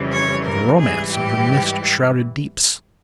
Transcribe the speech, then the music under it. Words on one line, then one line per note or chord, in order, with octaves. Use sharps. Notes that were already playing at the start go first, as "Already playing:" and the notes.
The romance of the mist-shrouded deeps.
Already playing: F2 C#3 E3 G3
C#5
A#4
G#2 E3 G3 G#4
G4